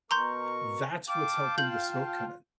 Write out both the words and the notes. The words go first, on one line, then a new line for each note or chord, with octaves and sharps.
that's what's helping the smoke come in.
B2 A#4 A#5 C6 C#6 G6
F5 G5 A5 D6
F4 G6 F#7